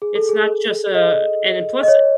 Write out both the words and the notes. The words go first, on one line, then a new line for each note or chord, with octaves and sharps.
It's not just a and then plus
G#4
A4
G#4
D#5
D#5
C#5